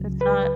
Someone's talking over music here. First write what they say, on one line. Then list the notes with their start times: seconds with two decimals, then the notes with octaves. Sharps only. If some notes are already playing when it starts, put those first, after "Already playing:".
It's not
Already playing: C#2 C#3 F#3
0.21 B4